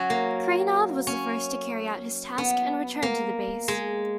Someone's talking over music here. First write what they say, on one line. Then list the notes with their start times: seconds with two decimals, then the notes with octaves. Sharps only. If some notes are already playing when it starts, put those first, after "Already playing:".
Krainov was the first to carry out his task and returned to the base.
Already playing: F#3 C#4
0.10 A#3
1.07 C#4
2.38 B3
3.02 A#3
3.68 G#3